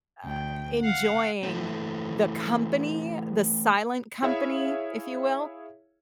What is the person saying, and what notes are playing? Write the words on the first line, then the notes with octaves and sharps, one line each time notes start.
uh, enjoying the company, the silent company, if you will,
D2 G5
F5 F#5
E3 A3 C4
E4 G#4 C#5 E5 F5